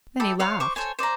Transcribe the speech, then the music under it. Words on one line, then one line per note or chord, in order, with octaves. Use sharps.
Then he laughed.
G4 A4 E5 B5
C#5 F5 C6
C5 C#6 D6
A4 C5 C#5 G#5
C5 D5 A5 A#5